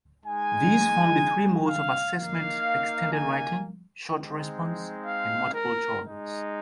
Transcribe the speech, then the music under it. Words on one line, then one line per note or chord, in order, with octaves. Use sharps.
These form the three modes of assessment-extended writing, short-response and multiple-choice.
G#3 D#4 G#5
F5
A#3 D#4 F5
G#5
G#3 C4 D#4
F5
A#4
G#3 D#4